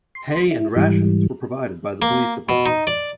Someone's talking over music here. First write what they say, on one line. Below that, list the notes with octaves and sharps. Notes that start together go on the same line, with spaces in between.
Pay and rations were provided by the police department.
C6
E4
G#2 E3 G3
A#3
B2
D#4
D5